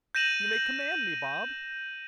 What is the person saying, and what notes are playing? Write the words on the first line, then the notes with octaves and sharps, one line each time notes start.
You may command me, Bob.'
G6 A#6 D#7 E7 F#7